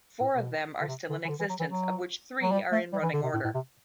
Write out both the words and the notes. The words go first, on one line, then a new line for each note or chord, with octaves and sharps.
Four of them are still in existence of which three are in running order.
A2
B2
D3
C3
D3
E3
D3
E3
F#3
E3
F#3
F#3
G3
A3
G3
E3
D3
C3
A2
A2
C3